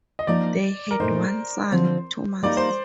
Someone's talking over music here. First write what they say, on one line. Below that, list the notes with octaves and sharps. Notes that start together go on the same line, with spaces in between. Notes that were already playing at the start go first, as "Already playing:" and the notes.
They had one son, Thomas.
D#5
F3 A#3 D#4 A#4 D5
A#4
A#2 A3 D#4 C5
D3 F3 C4
G3 A#3 D#4 A#4 D5
C5